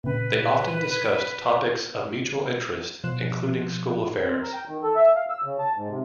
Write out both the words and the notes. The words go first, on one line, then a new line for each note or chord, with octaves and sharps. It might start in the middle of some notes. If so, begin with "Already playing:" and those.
They often discussed topics of mutual interest including school affairs.
A#2 C#3 B4
B2 F3 C6 F#6 E7
C4
A#4
G5
D#3
A4
E5
F5
E6
C#3
A5
G#2
C3